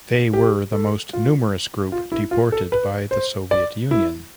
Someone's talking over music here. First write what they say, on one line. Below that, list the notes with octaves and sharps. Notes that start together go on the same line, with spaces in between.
They were the most numerous group deported by the Soviet Union.
G4
A4
F4
F4
E4
F4
A4
B4
C5
D5
E4